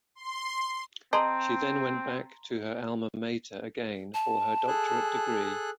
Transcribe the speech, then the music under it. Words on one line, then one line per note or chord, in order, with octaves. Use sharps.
She then went back to her Alma mater again for her doctorate degree.
C6
C4 G#4 D#5 A5 A#5 C6
A5
G#4 A4 F#6